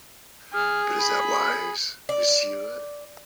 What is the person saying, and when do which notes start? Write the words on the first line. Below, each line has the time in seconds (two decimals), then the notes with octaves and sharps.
But is that wise, monsieur?
0.54 G#4 F6
0.98 B5
2.09 D5